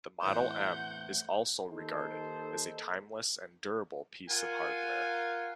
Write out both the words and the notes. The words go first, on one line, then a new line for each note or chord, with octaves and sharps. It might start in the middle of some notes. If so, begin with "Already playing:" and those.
The Model M is also regarded as a timeless and durable piece of hardware.
E2 A2 C4 F#5 G6
D#2 D#4 A4 C5
F4 A#4 F5 F#5 G#5